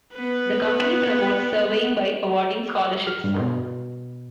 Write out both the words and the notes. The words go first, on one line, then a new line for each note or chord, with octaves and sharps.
The Company promotes surveying by awarding scholarships.
B3 B4
F6
G2
B2